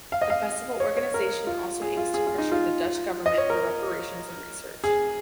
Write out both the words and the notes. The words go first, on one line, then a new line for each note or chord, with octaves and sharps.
The festival organisation also aims to pressure the Dutch government for reparations and research.
F5
D#5
F5
C#5
C#5
A#4
F4
G#4
F4
G#4
F4
D#4
F4
D#5
C#5
A#4
G#4